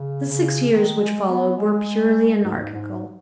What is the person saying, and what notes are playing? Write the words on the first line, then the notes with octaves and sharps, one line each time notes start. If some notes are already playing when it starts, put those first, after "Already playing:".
The six years which followed were purely anarchical.
Already playing: C#3
C#3
D#3
G#3
B3
G#3
G#2
G#2